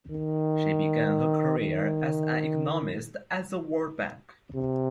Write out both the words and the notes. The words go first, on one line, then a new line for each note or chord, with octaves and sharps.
She began her career as an economist at the World Bank.
D#3
D#3
C3